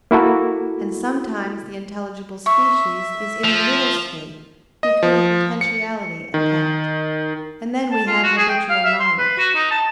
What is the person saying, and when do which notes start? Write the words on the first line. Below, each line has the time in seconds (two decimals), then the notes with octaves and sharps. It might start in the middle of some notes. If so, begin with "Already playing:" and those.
And sometimes the intelligible species is in a middle state, between potentiality and act: and then we have habitual knowledge.
0.11 A#3 E4 F#4 A4
2.46 E5 C#6
3.44 F3
4.83 D#5
5.03 F3
5.61 C#7
6.34 D#3
7.91 A5
8.07 F4
8.23 F#4
8.37 G#4
8.49 G5
8.69 F5
8.85 E5
9.00 C6
9.18 B4
9.38 F#4
9.55 D#4
9.71 A5